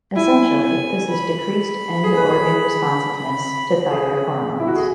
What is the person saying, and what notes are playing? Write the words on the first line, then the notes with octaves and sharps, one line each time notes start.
Essentially this is decreased end organ responsiveness to thyroid hormones.
E4 G#5
G#5
B5
G#4
B4
G#4
G#4
E4
F#4
G#4